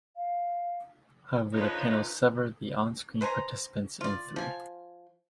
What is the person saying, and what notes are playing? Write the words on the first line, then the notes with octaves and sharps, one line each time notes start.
However, the panels sever the onscreen participants in three.
F5
D3 F3 D#4 B4 C#5
B4 C5 G#5 A#5
F4 D5
F3 G#5